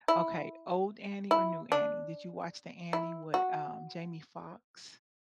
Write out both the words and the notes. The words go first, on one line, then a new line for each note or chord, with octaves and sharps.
Okay old Annie or new Annie did you watch the Annie with, um, Jamie Foxx
E4
E4
D4
E4
F#4